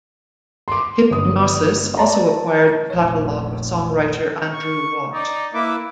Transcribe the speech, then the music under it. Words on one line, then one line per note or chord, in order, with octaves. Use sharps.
Hipgnosis also acquired the catalogue of songwriter Andrew Watt.
C6 D6
G1 D#6
C#5 D5 A5 A#5
F1 A#1 C#5
C#6
D#4 D5
A#3 E4 B4 D6